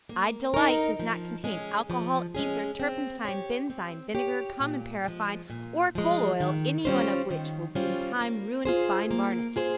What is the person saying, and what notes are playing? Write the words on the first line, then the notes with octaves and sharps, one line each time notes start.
I-DE-LITE does not contain alcohol, ether, turpentine, benzine, vinegar, common paraffine or coal oil, anyone of which will in time ruin fine varnish.
A#3
D#4 A#4
F3
G#3 C#4 G#4
F3
G#3 C#4 G#4
C4
G4 C#5
C4
G4 C#5
A#2
F3 G#3
A#2
F3 G#3
D#3
G3 C#4 F4 C5
D#3
G3 C#4 F4 C5
A#3
F4 G#4 C5
A#3
F4 G#4 C5